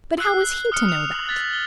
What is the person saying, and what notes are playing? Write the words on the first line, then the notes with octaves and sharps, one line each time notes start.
But how was he to know that?'
E6 F#6 C7
D#6 F6 F#6 C#7
F7
F#7
F#6 A6 B6
G7